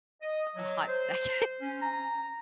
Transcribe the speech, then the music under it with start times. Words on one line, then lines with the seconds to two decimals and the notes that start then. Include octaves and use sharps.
a hot second,
0.21 D#5
0.56 F#3
0.87 C5
1.60 C#4
1.81 A#5